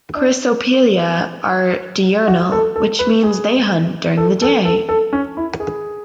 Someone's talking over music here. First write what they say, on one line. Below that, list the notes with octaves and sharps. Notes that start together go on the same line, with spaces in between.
"Chrysopelea" are diurnal, which means they hunt during the day.
D4
F#4
A4
A4
B4
G#4
A4
A4
A4
A4
C#4
E4
G#4